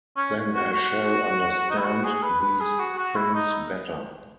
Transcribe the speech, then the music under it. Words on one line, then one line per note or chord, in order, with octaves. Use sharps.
Then I shall understand these things better.
C#4
F#4
F#4
D#4
E4
F#4
G#4
B4
B4
G#4
F#4
F#4
E4
D#4